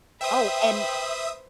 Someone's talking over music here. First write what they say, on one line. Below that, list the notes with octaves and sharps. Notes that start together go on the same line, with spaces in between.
Oh, and
B4 C5 E5 G5 D#6